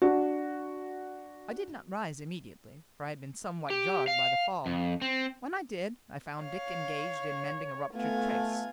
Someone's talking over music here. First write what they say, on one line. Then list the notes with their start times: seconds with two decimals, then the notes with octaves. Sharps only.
I did not rise immediately, for I had been somewhat jarred by the fall; when I did I found Dick engaged in mending a ruptured trace.
0.02 D4 F#4
3.70 G4
4.08 F5
4.66 F2
5.02 C4
6.43 C#5 F5
7.95 A3 B3 F4 G#5